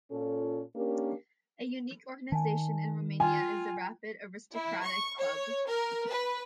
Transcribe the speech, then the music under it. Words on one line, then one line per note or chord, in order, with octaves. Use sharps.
A unique organization in Romania is the Rapid Aristocratic Club.
A#2 C#4 F4 A4
A#3 C#4 D4 G4 A#4
D#3 G#5 A5
F4 G5 G#5
E4
C#6
C#5
A#4
B4